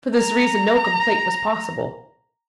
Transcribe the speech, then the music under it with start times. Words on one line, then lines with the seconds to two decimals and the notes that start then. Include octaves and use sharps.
For this reason no complaint was possible.
0.18 A#5